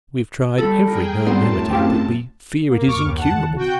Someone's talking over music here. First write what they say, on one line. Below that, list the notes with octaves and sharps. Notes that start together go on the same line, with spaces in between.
We have tried every known remedy but we fear it is incurable.
G3 A4 B5
G#4 A#4 G5
F#2 A2 G3 B3 C4 C5 A5 C6
C4 G4 F5
A#3
F#2 C#6 D6 F6
D#2
F#5 A5
D#3 E3
C3 F#4 G5